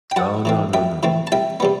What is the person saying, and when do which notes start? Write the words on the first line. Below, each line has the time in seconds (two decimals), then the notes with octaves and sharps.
Oh, no, no, no, no.
0.11 G5
0.16 F#2 F#5 A5
0.45 E3 A3 C4
0.73 F#2 E5 G5
1.03 E3 A3 C4
1.27 A5
1.32 C2 E5 G5
1.60 C3 G3 B3